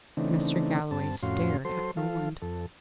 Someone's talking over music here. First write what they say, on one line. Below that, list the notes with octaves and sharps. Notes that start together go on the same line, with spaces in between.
Mr. Galloway stared at Roland.
C#3 E3 A3 C4 D4 D#4
G2 C4 A5
F2 A2 C#4 F#4 F5 C6
F#3 A4 C5 C6
F3 A4 F5
F2 A4